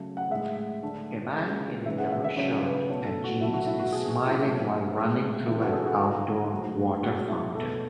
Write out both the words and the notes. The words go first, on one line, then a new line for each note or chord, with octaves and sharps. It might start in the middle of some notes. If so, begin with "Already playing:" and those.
A man in a yellow shirt and jeans is smiling while running through an outdoor water fountain.
Already playing: C#3 F#3 A3
F#5
A2 G#3 E5
D3 A3
C#3 G#3
C#3 E3 G#3 E5
F#5
E5
E5
C#3 F#3 A3 C#5
B4
B2 A3 C#5
A4
F#4
B2 F#3 A3 E4
F#4
E4
F#4
B2 A3 G#4
F#4
E4
A2 F#3 A3
A2 G#3
C#3 E3 G#3 E4
F#4
A4
G#4
F#4
D3 G#3
A2 F#3 A3
B2 G#3 F#4
E4
B2 A3 A4